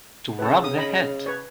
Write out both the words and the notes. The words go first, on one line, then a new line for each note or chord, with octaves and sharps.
To wrap the head.
C#3 A4 B4
D#6
D#5 B5
B4 C#5